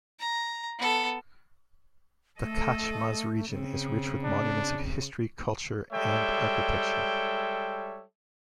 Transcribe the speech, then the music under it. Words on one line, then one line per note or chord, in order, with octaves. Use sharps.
The Khachmaz region is rich with monuments of history, culture and architecture.
A#5
B3 A4
A3 A4 D#5
C#3 C4
D4
G3 G#3 A4 C#5 E5 G5